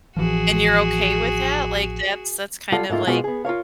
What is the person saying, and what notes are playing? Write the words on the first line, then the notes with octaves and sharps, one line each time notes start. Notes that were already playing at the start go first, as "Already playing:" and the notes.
And you're okay with that? Like, that's that's kind of like
A1 E3 F3 F#4 G#4
G3 F4 A4 F5 F#5
G#2 A3 A#3 F4
B2 G#3 A#3 B3 F4 F#4
B3 G#4
F4 A#4 C#5 F5